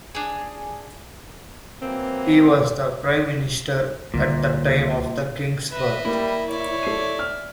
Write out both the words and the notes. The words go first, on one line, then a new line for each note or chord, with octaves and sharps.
He was Prime Minister at the time of the King's birth.
D4 G#4
E3 F#3 A#3 C4
C#2 A#2 D3 G3
B4 D#5 E5
G3 A#3 E4
C#5 D5 E5
A4 C7 D#7
F6